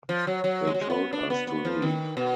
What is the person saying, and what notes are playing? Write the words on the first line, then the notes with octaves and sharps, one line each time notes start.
They told us to leave.
F3
F#3
F#3
G#3
F#3
G#3
B3
D4
B3
B3
F3
D#3
B2